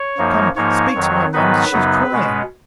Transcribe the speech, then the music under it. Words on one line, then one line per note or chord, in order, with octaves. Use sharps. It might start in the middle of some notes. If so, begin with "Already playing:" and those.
"Come ... speak to my Moms; she is crying."
Already playing: C#5
F#2 F3 A#3 D#4
G#2 F3 A#3 D#4 C#5
F2 D#3 F#3
G#2 D#3 F#3 B3 D#4 B4
F#2 C#3 F#3 B3 D#4
B2 G#3 C#4